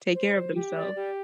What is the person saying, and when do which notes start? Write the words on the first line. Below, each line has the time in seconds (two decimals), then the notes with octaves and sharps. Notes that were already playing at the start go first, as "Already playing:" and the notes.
take care of themselves.
0.14 C5
0.34 C5
0.54 G4
0.76 D5
0.95 G4